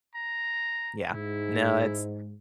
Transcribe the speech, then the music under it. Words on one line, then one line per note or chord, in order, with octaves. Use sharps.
Yeah. No, it's
A#5
G#2 E4